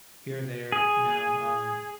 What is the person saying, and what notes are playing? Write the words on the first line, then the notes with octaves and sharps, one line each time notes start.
here or there, you know, um,
G#4